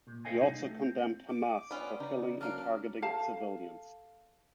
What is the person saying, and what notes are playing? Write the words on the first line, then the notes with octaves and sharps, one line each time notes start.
He also condemned Hamas for killing and targeting civilians.
A#2
A4 C5 D#5 F5 G5 G#5
C2 D#4
A3
C4
D6
B3 C#4 F4 D5
C#3 D#4
F#3 A#3 D4 F6
A4 F5 A5